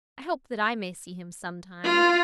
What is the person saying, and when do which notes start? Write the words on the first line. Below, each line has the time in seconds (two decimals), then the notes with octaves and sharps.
I hope that I may see him sometime.
1.84 F4